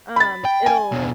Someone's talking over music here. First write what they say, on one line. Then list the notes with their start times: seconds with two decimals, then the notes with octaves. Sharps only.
um, it'll,
0.16 B5 A6
0.45 G5
0.66 G#5
0.92 B2 D4